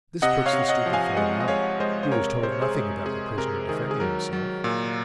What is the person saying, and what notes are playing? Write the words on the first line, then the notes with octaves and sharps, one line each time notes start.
This puts the stupid fellow out, he was told nothing about the prisoner defending himself.
C3 D#5 F#5
C#5 F5
C3
D#5 F#5
F3
F5 G#5
G#3 D#5 F#5
D#5
G#3 C#5 F5
G#3 C5 D#5
C5
C3 A#4 C#5
C3 C5
C#5
G#4 C5
G#3
C3 G#4
C3 A#4
D#3 G#4
G#4
F#3 A#4
F#3
A#2